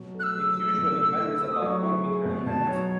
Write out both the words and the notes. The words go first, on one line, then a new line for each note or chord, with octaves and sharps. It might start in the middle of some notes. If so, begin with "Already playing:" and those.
It usually measures about one meter in length.
Already playing: B2 F#3
A3 F#6
E6
F#3
F#3
B2
A3
E4
A3 E6
D#6
F#3 C#6 D#6
E4
G#4
B2
B2 A5
F#3 C#5